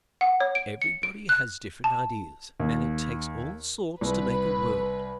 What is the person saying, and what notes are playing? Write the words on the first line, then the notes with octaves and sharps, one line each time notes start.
Everybody has different ideals, and it takes all sorts to make a world.
F#5
C#5
D7
C#7
D7
F#6
A5
D#2
C2 B4